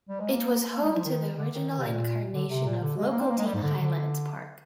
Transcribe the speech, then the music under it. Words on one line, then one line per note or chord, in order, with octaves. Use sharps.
It was home to the original incarnation of local team Highlands Park.
G3
G#3
A#3
A#3
G#3
G3
F3
D#3
D3
D#3
D#3
C3
A#2
D3
C3
A#2
D3
G#3
A#3
C4
A#3
G#3
G3
G#2
D3
D3